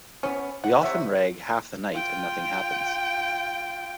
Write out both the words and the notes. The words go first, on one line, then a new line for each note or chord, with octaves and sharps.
We often rag half the night and nothing happens.
B3 C#4
F#5
C3 C#5 E5 F#5
F4 G5